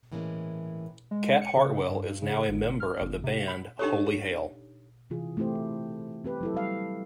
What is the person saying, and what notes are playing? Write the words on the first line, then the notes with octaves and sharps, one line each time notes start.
Cat Hartwell is now a member of the band Holy Hail.
A2 E3 G#3 A#3 C#4
G#3
C#7
C#3
G2
C#3
G1
F6
G1
C3
B5
D4 D#4 G4 A4 C#5
C3 E3 F4 G#4
A3 C4 E4 G4 C5
C4 G4 B4
F#3 E4 A4
G3 F5